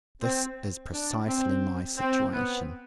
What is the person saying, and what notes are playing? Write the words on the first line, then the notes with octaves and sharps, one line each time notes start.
This is precisely my situation.
C4
D4
C4
C4
B3